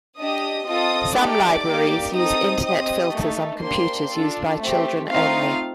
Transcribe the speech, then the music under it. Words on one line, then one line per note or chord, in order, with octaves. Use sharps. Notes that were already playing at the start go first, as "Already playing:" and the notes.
Some libraries use Internet filters on computers used by children only.
D4 G4 D#5 D#6
C4 F4 A4 D#5 D#6
A3 D#4 G4 D5 D6
A#3 D#4 G4
C4 D#4 A4 D#5 D#6
C4 G4 D#5 D#6
A3 D#4 A4
A#3 D4 G4 C5 C6
D4 F4 A4
A3 C4 G4
A3 C4 D#4 F4 F5